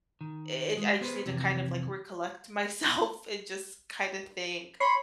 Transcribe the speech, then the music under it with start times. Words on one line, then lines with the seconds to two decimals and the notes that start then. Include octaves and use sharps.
i it I just need to kind of like recollect myself and just kinda think
0.21 D#3
0.77 G#3
1.01 B3 G#4 B4 C5
1.26 F2 C3 E3
4.80 C#5 B5 C6